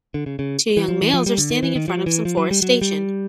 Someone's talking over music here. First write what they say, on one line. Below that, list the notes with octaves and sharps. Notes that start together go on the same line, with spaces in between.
Two young males are standing in front of some forestation.
D3
C#3
C#3
E3
F3
E3
F3
G3
D3
D#3
E3
D#3
F3
E3
F3
F#3
G3
F#3
G3